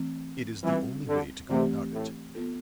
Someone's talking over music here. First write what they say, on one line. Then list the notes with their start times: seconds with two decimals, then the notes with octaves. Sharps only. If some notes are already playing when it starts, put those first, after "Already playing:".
It is the only way to go about it.
Already playing: E3 A3 C4
0.63 E3 G3 C4 F4
1.07 D3
1.49 C3 E3 A3 C4 G4 D5
1.92 A2
2.35 B3 F4 A4